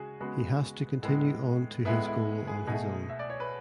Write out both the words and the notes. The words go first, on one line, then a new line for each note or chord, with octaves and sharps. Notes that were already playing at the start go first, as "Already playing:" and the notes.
He has to continue on to his goal on his own.
Already playing: C#3 G#3 F#4 G#4
C#3 G#3 B3 F#4
A2 G#3 B3
A2 G#3 B3 E4
E4
G#4
B2 A3 G#4
E5
D5
C#5
B4